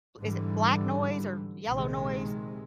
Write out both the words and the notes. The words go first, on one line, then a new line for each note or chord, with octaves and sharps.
is it black noise or yellow noise, is
G#2 D3 E3 G3
A#1 C3 D#3 G#3